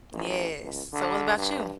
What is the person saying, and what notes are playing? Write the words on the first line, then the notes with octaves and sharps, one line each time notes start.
Yes, so what about you?
A1
C#2
D3
G2